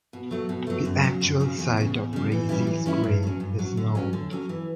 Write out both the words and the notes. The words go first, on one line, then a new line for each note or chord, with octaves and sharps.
The actual site of Reizei's grave is known.
B2
F#3 A3
B2
F#3 A3
F#2
C#3 F#3
F#2
C#3 F#3
E2
C#3 G3
E2
C#3 G3
E3
G3 C#4 E4 G4
E3
G3 C#4 E4 G4
G2
F#3 C#4
G2
F#3 C#4
D3
F#3 C#4
D3
F#3 C#4
E3